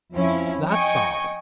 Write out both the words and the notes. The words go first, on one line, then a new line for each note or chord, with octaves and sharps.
That's all.
F2 F3 C#4 E4
D#5 G5 G#5 C#6